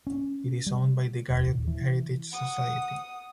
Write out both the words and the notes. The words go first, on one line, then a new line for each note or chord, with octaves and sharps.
It is owned by the Garioch Heritage Society.
C#4
G3
E1
D#1
E3
F#5 D#6